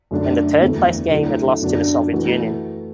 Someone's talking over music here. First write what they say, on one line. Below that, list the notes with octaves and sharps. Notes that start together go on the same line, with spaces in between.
In the third-place game it lost to the Soviet-Union.
F#2 D3 A3 D4 F#4
E2 D3 A3
D3 F#3 A3 E4 A4
F#2 D3 B3 D4 F#4
E3 A3 F#4 A4